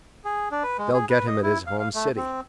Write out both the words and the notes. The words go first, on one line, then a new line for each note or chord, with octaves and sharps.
"They'll get him at his home city."
G#4
D4
B4
G#3
G#4
B4
D#5
E4
F5
F5
A3
C4